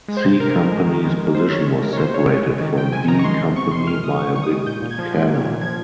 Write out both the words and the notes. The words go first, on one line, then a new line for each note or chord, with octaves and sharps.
C Company's position was separated from D Company by a big canal.
G#3
C5
C3
C3 A#4
F3
G#3
D#3
G#3
G#3
D#3 C5
D#3 C#5
G#3
G#3 A#4
C#5
D#3 C5
D#3 C#5
G#3
G#3
D#3
C3 G5
C3 G#5
D#3 A#5
C#6
G#3 C6
C3
C3 C#6
D#3 C6
G#3 F6
C3 D#6
C3 C#6
D#3 C#6
D#6
G#3
A#2 G6
A#2
G#6
F3
G#3
A#2
A#2
F3 G#6